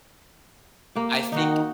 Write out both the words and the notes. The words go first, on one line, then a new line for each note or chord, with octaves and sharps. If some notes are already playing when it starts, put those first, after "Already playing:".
I think
A#3 G4
D#3 D#4 F#4